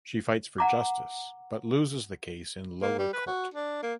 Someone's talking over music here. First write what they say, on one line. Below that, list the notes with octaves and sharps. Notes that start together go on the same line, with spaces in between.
She fights for justice but loses the case in lower court.
F#5 A#5 D6
A#3
G3
B4
F#4
D4
A#3